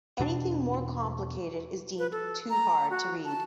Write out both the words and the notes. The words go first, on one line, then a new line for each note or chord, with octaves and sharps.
Anything more complicated is deemed 'too hard to read.
E2 B2 D4
B4
A4
A#5
F#4
A5